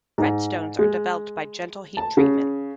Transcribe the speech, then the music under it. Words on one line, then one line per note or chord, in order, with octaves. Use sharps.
Red stones are developed by gentle heat treatment.
G#2
G#3
A5
C#3